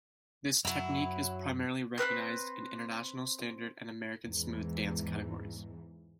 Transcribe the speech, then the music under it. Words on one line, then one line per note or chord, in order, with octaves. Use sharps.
This technique is primarily recognized in International Standard and American Smooth dance categories.
F#2 F#3 E4 F#5 A#5
C4 A#4 B4 D#6
E2 G#2 E3